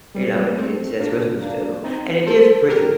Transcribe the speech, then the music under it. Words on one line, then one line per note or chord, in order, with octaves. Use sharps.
you know, it it says Christmas to 'em. And it is pretty,
G3
G3 A#3
A3 C4
A#3 D4
A#3 D4
C4 D#4
A4 C5
G4 A#4